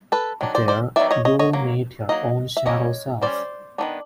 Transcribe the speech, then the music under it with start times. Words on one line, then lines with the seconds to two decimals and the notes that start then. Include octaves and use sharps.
There, you will meet your own shadow self.
0.12 A4 B4
0.41 D#3 F#3 D4
0.55 C5 D5
0.68 C5 D5
0.96 D#3 F#3 B3 D4 D5 E5
1.11 C#5 D#5
1.25 C#5 D#5
1.39 C#5 D#5
1.53 F#3 A#3
2.09 F#3 A#3 D#4 D#5
2.57 E5
2.65 G3 A#3 C#4 C#5 D#5
3.21 G3 A#3 C5 D5
3.26 C#4
3.78 D#3 F#3 B3 D4